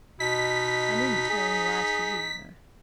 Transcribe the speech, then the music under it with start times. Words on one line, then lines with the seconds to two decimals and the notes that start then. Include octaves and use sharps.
I needn't tell any lies to you, you know.
0.20 B2 D#4 B6
1.29 G#4